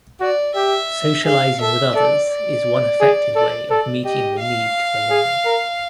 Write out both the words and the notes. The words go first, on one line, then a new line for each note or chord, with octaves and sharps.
Socializing with others is one effective way of meeting the need to belong.
F#4 D5
G4 E5
G#4 F5
A4 E5
A4 D5
D5
G#4
A4 D5
A4 D5
G4 D#5
F5
G#4
A#4